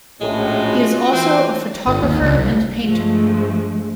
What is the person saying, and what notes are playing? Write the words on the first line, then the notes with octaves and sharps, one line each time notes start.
He is also a photographer and painter.
A#1 A2 G#3 C#4 F4 F#4
E3 C4
G1
D#2
C#2
C2
G2 F3 G#3 A3